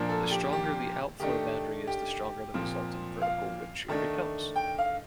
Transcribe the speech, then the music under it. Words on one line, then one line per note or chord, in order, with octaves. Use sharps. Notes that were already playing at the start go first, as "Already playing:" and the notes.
The stronger the outflow boundary is, the stronger the resultant vertical wind shear becomes.
Already playing: A#2 F3 A#3 D4
A4
G4
G4
D#3 A3 D4 G4
G4
A#2 F3 C4
F5
D#3 A3 D4
G5
F5